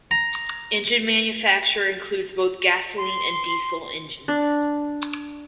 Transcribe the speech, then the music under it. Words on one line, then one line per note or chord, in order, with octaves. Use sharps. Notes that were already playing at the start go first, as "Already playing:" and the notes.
Engine manufacture includes both gasoline and diesel engines.
A#5
C6
D4